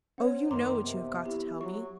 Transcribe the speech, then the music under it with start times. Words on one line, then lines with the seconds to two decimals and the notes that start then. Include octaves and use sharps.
Oh, you know what you have got to tell me!
0.18 C#4 C5 C#5 F#5
0.51 F#2 D#3 A#3 A#5 C6 D6
0.83 C3 B3
1.25 E4 G4
1.61 F#3 C#6